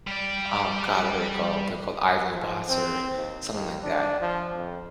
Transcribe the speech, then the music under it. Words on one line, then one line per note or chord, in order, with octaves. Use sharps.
oh, god. What are they called? They're called iRobots or something like that.
G3 D5
F3
C4
D#2
D#2
D4
F3
F2